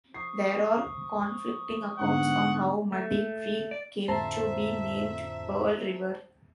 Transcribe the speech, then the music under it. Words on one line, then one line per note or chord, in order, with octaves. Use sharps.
There are conflicting accounts on how Muddy Creek came to be named Pearl River.
F3 C#6 D#6 C7
G#2 D3 B3 F#5
A3
D5
F2 A2 D3 C5 E5 A5 A#5